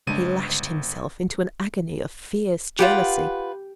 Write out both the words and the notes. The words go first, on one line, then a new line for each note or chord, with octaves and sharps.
He lashed himself into an agony of fierce jealousy.
G1 C#3 G#3 D4 D#7
F4 G4 B4 F#5